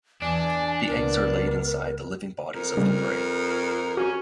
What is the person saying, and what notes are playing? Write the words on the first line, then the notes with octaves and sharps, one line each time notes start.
The eggs are laid inside the living bodies of the prey.
E2 D4 G#5
C#2 B3 A#4
F2 A#4
C#3 G3
C#4 F#4